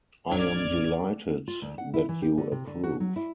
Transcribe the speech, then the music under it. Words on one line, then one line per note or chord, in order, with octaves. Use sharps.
I am delighted that you approve.
A1 F2 F#3 D4 D5 F6 G#6
F4
D2
F#5
E4
E3
G4
D3
C3
D3
F#4
F#3
E4